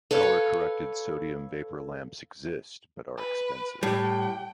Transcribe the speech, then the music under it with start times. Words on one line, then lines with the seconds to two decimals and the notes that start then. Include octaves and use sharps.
Color-corrected sodium vapor lamps exist but are expensive.
0.11 A4 B4 C#5 F5
3.17 B4
3.83 A2 G3 G5